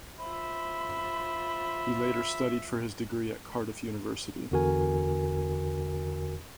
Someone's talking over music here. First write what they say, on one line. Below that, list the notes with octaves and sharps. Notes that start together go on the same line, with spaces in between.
He later studied for his degree at Cardiff University.
F4 C5 E5 B5
E2 D3 F#4 A#4 G#5